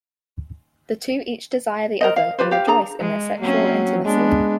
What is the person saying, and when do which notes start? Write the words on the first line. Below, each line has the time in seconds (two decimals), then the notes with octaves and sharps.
The two each desire the other and rejoice in their sexual intimacy.
2.01 A#4 C5 D#5
2.16 F5
2.39 F4 G4 B4 C5
2.51 G4 F5
2.67 D4 G#4 A#5
2.99 G#3
3.41 F#3 A#3 C4 C#4
4.05 G#3 B3 D4